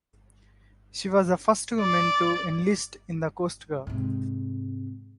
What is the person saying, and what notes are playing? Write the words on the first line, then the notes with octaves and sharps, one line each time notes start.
She was the first woman to enlist in the Coast Guard.
D5
G#2 C3